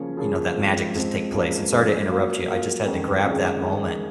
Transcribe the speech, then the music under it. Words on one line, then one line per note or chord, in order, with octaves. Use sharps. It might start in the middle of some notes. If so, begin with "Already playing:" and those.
you know, that magic to take place, and sorry to interrupt you. I just had to grab that moment.
Already playing: C#3 F3 A#3 C#4 G#4
C#3 F3 A#3 C#4 G#4
G#2 F3 C4
G#2 F3 C4
G#2 F3 A#3 C#4
G#2 F3 A#3 C#4
F#3 A#3 F4 A#4
F#3 A#3 F4 A#4
F2 D#3 G#3 C#4 G#4
F2 D#3 G#3 C#4 G#4
D#3 G#3 C#4 G#4